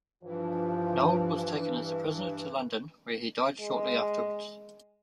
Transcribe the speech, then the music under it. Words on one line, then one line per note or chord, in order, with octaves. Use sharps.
Noel was taken as a prisoner to London, where he died shortly afterwards.
G2 E3 F3
G#3